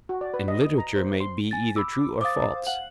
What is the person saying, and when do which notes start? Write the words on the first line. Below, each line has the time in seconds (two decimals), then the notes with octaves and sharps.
And literature may be either true or false?
0.09 F#4
0.21 D5
0.34 B4
0.48 D#5
0.61 D#6
0.78 A#5
0.96 C5
1.20 C6
1.51 G#5 A6
1.76 B5 D6 E6
2.21 C5 F5 D6 D#6 A6
2.67 F5 F#5 F#7